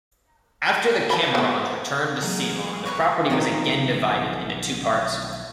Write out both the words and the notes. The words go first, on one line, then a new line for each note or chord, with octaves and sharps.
After the Camerons returned to Ceylon the property was again divided into two parts.
A5 B5
B3 C4
E3 F#3 G#3 A#3 G#4
A#4 B4 C#5
B1 D#3 F3 C4 D#4 G5